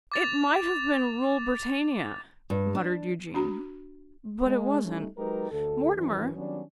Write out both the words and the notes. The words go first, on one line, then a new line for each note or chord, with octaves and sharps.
'It might have been Rule Britannia,' muttered Eugene, 'but it wasn't. Mortimer!'
D6 A6 F7
G2
D4
D4 F#4 A#5
G#3
G3 A3 C#4 D#4
F#3 G#3 D#4 G4 A#4 B4
D2 A4
G#1 F#2 E3
D#3 F#3 G3 B3 C#4 D4